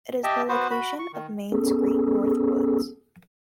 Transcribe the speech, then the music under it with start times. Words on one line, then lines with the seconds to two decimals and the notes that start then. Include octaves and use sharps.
It is the location of Maine's Great North Woods.
0.24 G4 D#5 E5 G5 A5
0.49 B3 F#4 B4 C5
0.71 F#4 B5
0.99 C#6
1.13 D#3
1.52 B3 C#4 G#4 A4